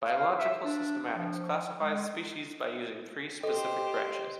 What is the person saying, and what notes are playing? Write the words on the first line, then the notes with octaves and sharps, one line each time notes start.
Biological systematics classifies species by using three specific branches.
F5
E5
D4
F3
G#3
G4 A4 C5 D#5